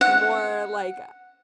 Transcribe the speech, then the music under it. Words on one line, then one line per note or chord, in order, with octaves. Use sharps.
more like a
F#5